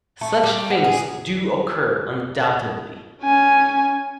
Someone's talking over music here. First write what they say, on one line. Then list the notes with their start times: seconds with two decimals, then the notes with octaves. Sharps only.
Such things do occur, undoubtedly.
0.21 A3
0.43 G3
0.70 B3
0.84 G#4
3.22 C#4 G#5